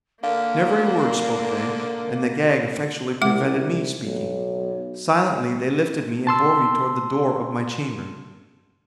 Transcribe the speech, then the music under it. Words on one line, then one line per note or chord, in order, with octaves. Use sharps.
Never a word spoke they, and the gag effectually prevented me speaking. Silently they lifted me and bore me toward the door of my chamber.
D3 A#3 A#4 F5
C2 G#3 F#5 D6
B1
A5 C6 E6